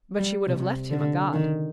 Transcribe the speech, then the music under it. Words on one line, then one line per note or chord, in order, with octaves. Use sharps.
But she would have left him a god.
G3
C3
D3
D#3